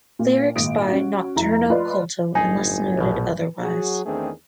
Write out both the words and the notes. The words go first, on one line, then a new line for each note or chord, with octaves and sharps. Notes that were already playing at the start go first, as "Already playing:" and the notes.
Lyrics by Nocturno Culto unless noted otherwise.
A#2
G#1 A#2 D#6 D7
C#4 F#4
F1 E4 A#5
F4 B4 D5 D#5 C6
G1 F#2 A2 D#4 G#4 G#5
A#1 B2
F#3 F#4 G#4
E2 D#3 A3 C4 D4 G#4